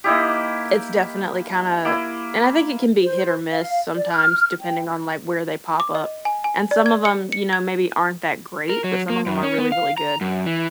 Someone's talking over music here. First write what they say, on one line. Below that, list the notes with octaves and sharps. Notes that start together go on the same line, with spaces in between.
it's definitely kinda and I think it can be hit or miss sometimes depending on, like, where they pop up, and some of 'em, you know, maybe aren't that great, but some of 'em are really, really good.
A#3 D#4 E4 G4
A#3 E4
C5
F5
D5
F6
G5
D6
D#5
G#5
G#5
D5
G#6
C#7
C#7
G#6
A#4
F#3
A#3
F#2
C#4
B3
F5
A#5
F#2
E3